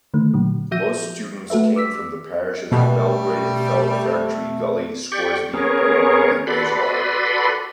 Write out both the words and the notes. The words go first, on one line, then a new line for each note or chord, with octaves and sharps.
Most students came from the parishes of Belgrave, Ferntree Gully, Scoresby, Boronia, and Bayswater.
D3 D#3 A3
A#2 D3 F#3
F3 F#4 E5 G6 A#6 D#7
A3 F#4 A4 B4 E5
D6 E6 B6
B2 G3 A3
G4 D5 G5 C#6
B3 C#4 G#4 A#4 C#5
F#4 A4 B4 D5 B5 C6